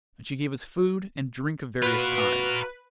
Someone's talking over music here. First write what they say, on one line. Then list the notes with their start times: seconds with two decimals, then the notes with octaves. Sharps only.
And she gave us food and drink of various kinds.
1.82 F4 F#4 A#4 B4